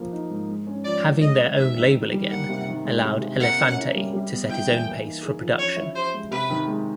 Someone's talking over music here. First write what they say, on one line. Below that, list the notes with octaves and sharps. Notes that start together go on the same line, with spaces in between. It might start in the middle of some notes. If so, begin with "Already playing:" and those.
Having their own label again allowed Elefante to set his own pace for production.
Already playing: F3 A#3
D#4
G#2
G#3
C#4
F3 D5
F3
G#3 D#5
C4
D#3 E5
D#3
D#3
G3
A#3 F#5
C3
D#3
G#3
C3
C3
A#3 F#5
C#4
E4
G3
G3
B3
E4 G5
E3
A#3
D#4
G#4
F3
C#4 C#5
E4
G4 C5
G#3
C3 B4
D#3
G#3